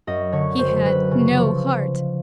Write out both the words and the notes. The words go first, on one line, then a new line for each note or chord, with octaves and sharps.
He had no heart.
F#2 D#5
D3 C#5
F#1 C5
F#1 B4
C#3
F3